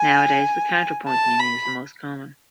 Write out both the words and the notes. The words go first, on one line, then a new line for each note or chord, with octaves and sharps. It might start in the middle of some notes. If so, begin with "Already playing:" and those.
Nowadays the counterpoint meaning is the most common.
Already playing: G#5
A5
B5